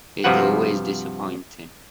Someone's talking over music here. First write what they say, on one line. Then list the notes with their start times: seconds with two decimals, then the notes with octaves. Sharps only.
It's always disappointing.
0.24 G2 C3 F3 F#4 B4 F#5